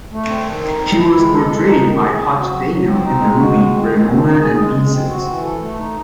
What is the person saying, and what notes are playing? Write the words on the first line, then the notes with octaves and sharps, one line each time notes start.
He was portrayed by Hutch Dano in the movie "Ramona and Beezus".
A3
C4
D#3
D#4
C4
E4
G#3
A4
G#3
D#4
D#3
G#4
C4
F#4
F#3
F#3
C4
D#4
G#3
F#4
G#3
C4
D#3
D#3
D#4
G#4
G#3
G#3
C4
F#4
E3
A4
A3
D#4